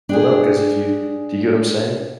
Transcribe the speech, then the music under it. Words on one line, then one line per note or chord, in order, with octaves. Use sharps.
Well, no. 'Cause if you do you get what I'm saying?
D4 G4 G#4